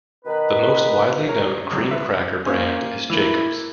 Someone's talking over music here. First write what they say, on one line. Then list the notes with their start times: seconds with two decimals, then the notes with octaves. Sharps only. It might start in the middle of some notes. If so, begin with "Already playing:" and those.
The most widely known cream cracker brand is Jacob's.
0.25 B2 D#3 B4
1.28 A#4 C#5
1.71 C#2 F#3 C4
1.91 B4 E5
2.45 A#3 C#4 C5 G#5
3.10 E3 A#3 E4